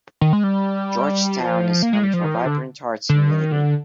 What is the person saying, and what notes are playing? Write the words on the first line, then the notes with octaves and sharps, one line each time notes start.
George Town is home to a vibrant arts community.
D#3
G#3
G3
F3
A#3
G#3
G3
F3
D#3
F3
D3
D3
D#3
D3